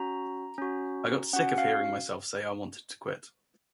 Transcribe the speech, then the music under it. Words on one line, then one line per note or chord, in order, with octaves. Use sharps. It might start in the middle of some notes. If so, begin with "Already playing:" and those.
I got sick of hearing myself say I wanted to quit.
Already playing: C#4 F#4 A#5
C#4 F#4
C#4 F#4 F#5
F5